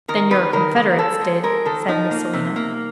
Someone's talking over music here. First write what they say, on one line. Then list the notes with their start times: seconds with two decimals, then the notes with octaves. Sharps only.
'Then your confederates did,' said Miss Selina.
0.08 D#3 A#4
0.30 D#3 B4
0.53 D#3 A#4
0.75 D#3 A#4
0.98 G#3 A4
1.21 G#3
1.43 G#3 A#4
1.65 D#3 A4
1.88 F3 D#4
2.11 A#3
2.33 C3
2.56 A#3